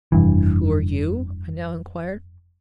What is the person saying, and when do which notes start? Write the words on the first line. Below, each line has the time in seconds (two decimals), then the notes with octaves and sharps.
"Who are you?" I now inquired.
0.12 F1 G2 E3